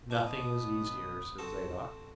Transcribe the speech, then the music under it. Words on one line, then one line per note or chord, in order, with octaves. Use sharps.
"Nothing is easier," said Zadok.
B2 B3 C#5 G#5 D6 D#6
C4 F#4 A4